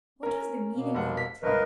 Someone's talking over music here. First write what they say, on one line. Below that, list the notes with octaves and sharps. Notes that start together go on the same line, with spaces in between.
What was the meaning of it?
C#4 A#4
B2 A#3
F1 F#5
B6
G1 C#2 A#4 B4 D#5